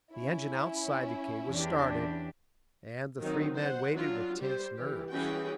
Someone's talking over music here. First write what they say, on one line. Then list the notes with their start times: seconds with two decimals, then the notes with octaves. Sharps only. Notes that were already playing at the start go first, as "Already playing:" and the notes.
The engine outside the cave was started, and the three men waited with tense nerves.
0.12 C#4 E4
1.49 E2 D4 G4
3.20 D#3 F#3 C4 D#4
3.56 C5 F#5
3.93 F#3 D4 F4
4.38 G3 G4 C5
4.76 E3 G4
5.11 E3 G3 C#4 F#4 G#4 G5